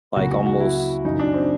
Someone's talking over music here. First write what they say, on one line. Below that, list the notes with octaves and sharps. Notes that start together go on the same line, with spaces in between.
like, almost
C#2 C#3 F#3 A#3 F#4
F#4
F#4
E4
F#2 C#3 F#3 D#4
D4
C4